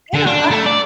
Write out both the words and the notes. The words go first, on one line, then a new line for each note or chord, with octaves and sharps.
You know, I I
D3
D4
A3
D5